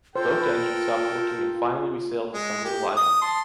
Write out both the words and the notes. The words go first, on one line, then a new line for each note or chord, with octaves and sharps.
Boat engine stopped working and finally we sailed to some little island.
F4 A4 A#4 C5 G5
B4
G#3
G4
D#6
A5 C6